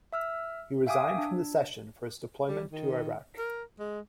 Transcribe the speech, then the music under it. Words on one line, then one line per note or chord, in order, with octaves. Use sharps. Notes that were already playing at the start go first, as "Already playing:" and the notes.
He resigned from the Session for his deployment to Iraq.
E5 E6 F6
E5 F5 G5 G#5 D6 D#6
D4
G3
D#3
A#4
G#3